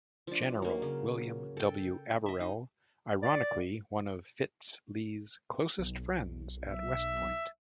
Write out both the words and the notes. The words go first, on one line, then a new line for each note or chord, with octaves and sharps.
General William W. Averell, ironically one of Fitz Lee's closest friends at West Point.
F3 D4
F#3 A#3
C#3
A4 G5
D#5 E5
D#4
D5
B1
E5